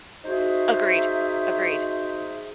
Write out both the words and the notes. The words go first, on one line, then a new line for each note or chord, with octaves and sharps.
Agreed. Agreed.
D#4 F#4 G#4 C5 E5